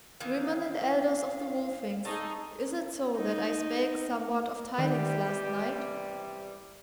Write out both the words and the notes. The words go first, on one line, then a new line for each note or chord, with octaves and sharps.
"Women and elders of the Wolfings, is it so that I spake somewhat of tidings last night?"
D#3 E3 F5
D#4 G#4 A4 C#6
D#4
C3 D#3 E3 G3 G4